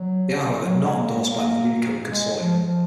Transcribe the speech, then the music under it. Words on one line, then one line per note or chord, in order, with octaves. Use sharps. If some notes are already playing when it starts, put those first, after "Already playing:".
They are however not endorsed by the Unicode Consortium.
Already playing: F#3
F#3
G#3
A#3
A#3
G#3
F3
F3